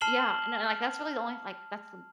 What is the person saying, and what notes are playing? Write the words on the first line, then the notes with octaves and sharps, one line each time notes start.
Yeah, and then, like, that's really the only, like that's
A5 F6 C7 E7 F#7 G7